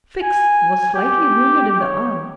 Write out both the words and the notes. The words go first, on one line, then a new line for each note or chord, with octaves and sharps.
Fix was slightly wounded in the arm.
G#5
G4
C#5